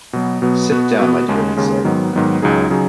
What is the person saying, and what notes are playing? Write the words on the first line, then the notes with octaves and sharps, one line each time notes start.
"Sit down, my dear," he said.
B2 F#3 B3
B2 F#3 B3
B2 B3 F#4
B2 B3 F#4
D#2 C#3 G#3
D#2 C#3 G#3
G#2 D#3 F#3 B3
G#2 D#3 F#3 B3
C#2 C#3 F#3 D#4 G#4
C#3 F#3 D#4 G#4